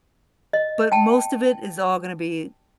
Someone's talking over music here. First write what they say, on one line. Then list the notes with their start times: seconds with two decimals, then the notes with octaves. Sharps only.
but most of it is all gonna be
0.53 D#5
0.92 G5 A5